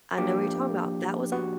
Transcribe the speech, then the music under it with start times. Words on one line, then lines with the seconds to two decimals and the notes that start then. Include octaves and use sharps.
I know what you're talking about, that was
0.18 F3 A#3 D4 G4
1.32 F#4